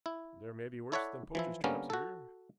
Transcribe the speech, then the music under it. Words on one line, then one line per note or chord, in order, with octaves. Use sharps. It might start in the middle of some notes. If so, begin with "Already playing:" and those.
"There may be worse than poachers' traps here."
E4
E4 A4 C#5 D5 E5 F#5
E3 F3 E4
D3 G3 A#3 B3 C#4 A#4
F#4 A4